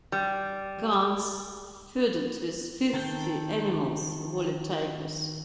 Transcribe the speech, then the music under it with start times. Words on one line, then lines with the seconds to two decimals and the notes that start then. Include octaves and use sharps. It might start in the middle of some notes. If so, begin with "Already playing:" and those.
Gunns feuded with the Filthy Animals' valet Tygress.
0.12 G3
2.94 D#3 A4 G5 G6